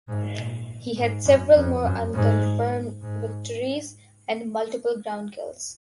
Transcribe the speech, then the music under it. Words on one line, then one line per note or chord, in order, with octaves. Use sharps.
He had several more unconfirmed victories and multiple ground kills.
G#2
A#2
G#2
F#2
F2
F#2
G#2
G#2